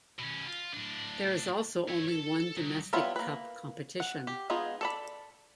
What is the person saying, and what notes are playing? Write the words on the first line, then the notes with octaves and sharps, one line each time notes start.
There is also only one domestic cup competition.
B2 C#4
F4
A2 D4
C#5 E5
A4
C2
F#3 G3 B3 E4 F4
A#3 B4
F#5
G4
G#3 B3 D#4 F4 G#4
A4 D5 B5